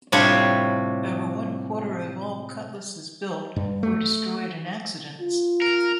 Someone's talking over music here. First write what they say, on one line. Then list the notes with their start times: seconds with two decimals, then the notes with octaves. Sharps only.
Over one quarter of all Cutlasses built were destroyed in accidents.
0.12 A2 C3 G3 D4 F4 C#5
3.56 G2
3.83 A3
5.21 F4
5.62 A#4